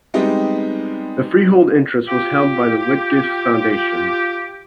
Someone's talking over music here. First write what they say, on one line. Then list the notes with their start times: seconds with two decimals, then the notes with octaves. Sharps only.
The freehold interest was held by the Whitgift Foundation.
0.14 G3 G#3 B3 C4 D#4
2.08 F4 G4